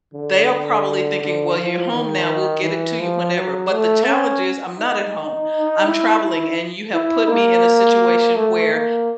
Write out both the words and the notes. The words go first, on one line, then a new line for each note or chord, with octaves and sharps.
they are probably thinking, "Well, you're home now, we'll get it to you whenever," but the challenge is I'm not at home, I'm traveling, and you have put me in a situation where
D3
D3
F3
D#3
E3
F3
F#3
A3
C#4
D#4
E4
E4
E4
A#3
A3
A#3